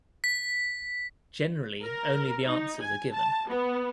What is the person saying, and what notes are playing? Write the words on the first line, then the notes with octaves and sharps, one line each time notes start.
Generally, only the answers are given.
B6
A#4
D#4
G#5
A5
B3